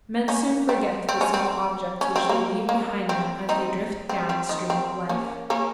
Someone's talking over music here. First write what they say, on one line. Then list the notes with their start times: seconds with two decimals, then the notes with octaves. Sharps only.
Men soon forget the small objects which they leave behind them as they drift down the stream of life.
0.28 A#3 C#4
0.69 C4
1.09 C4
1.21 C#4
1.34 C4
2.01 C#4
2.16 C4
2.29 A#3
2.69 A#3
3.09 C4
3.49 C4 D#4
4.09 C4
4.29 C4
4.49 D#3
4.70 C4
5.09 A#3 C#4
5.50 A#3 C#4